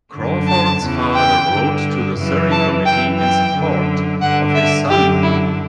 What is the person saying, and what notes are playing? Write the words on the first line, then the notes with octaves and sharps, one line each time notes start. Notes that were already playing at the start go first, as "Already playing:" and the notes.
Crawford's father wrote to the Surrey committee in support of his son.
F#2 D3
A5
E2 C#3 E3
G5
G2 D3
F#2 C#3 E3
A5
F#2 E3 G5
G5
F#2 D3
G2 D3 F#5
E5
F#2 D3 G4
E4